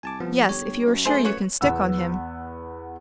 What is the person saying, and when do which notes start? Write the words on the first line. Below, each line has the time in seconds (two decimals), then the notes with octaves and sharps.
"Yes, if you are sure you can stick on him."
0.03 C2 G#5 A5 D6
0.20 F3 B3
0.49 G1 G4 C#5
0.86 F#2
1.06 A3 G#4 C5
1.25 B3 F#4 C#5
1.61 E2 B3 E6